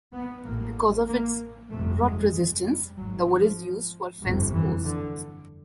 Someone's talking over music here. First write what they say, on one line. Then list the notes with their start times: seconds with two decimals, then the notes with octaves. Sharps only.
Because of its rot resistance, the wood is used for fence posts.
0.12 B3
0.44 A1 A2 A#3
1.07 A#3
1.70 G1 F2 C3 A3
2.01 G#3
2.64 G3
2.95 G#1 G#2 F#3
3.28 F3
4.22 G1 F2 C3
4.53 E3
4.84 D3